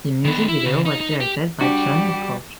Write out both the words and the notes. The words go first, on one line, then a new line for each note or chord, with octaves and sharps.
The music video was directed by John Hillcoat.
D#3 B3
E4
C#3
D#4
D#4
G4
G3 D4 F#4 G4